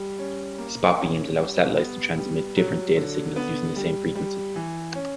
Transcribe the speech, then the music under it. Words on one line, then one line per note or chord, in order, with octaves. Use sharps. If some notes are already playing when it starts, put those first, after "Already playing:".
Spot beams allow satellites to transmit different data signals using the same frequency.
Already playing: G3
C#4
A#3
C#4
G3
B3
G3
F#3
D3
B3
G3
G3
E3
C#4